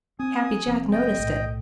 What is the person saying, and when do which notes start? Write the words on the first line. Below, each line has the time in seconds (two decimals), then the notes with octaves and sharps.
Happy Jack noticed it.
0.19 C4 G#5 D#6
0.67 F1 F2 C4
0.92 D#5 G5
1.18 B1 A2